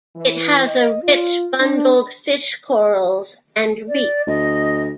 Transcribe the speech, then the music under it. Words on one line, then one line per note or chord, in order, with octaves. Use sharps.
It has a rich bundled fish corals and reef.
E3
D#5
F4
D4
D5
D2 D#5